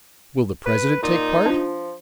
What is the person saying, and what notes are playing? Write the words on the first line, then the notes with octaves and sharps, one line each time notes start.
Will the President take part?
B4
A#2 D#4
F3 D4 F4